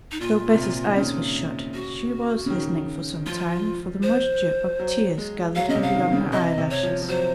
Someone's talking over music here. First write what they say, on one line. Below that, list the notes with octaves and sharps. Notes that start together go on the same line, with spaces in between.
Though Bessy's eyes were shut, she was listening for some time, for the moisture of tears gathered heavy on her eyelashes.
D#4
A#2 F4
A#2
C3
A#2
D#3
C#3
F#4
C#3
D#3
F3 F4
C5
F#3
G#3
F#3 F5
C#3 D#5
C3
F5
D#3
C#3
C3 D#5
C3
C#5
F3
F3
F#3 C5